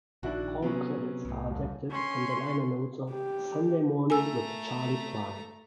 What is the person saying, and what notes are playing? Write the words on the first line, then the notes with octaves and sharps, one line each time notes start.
All credits are adapted from the liner notes of "Sunday Morning with Charley Pride".
A#1 D#3 D4 E4 F#4
C3 F#3 B3 C#4
C2 A2
D#1
C#4 C6
G4
A3 G#5 A#5 E6